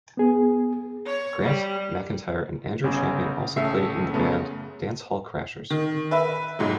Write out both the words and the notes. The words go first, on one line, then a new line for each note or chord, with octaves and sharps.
Grant McIntire and Andrew Champion also played in the band Dance Hall Crashers.
B3 G#4
C#5
G3
G1 C#3 G#4
A1 C#3 A3 E5 C7
F#2 C#3 A3 B3
D#3
B4 E5
F1 G#2 F#3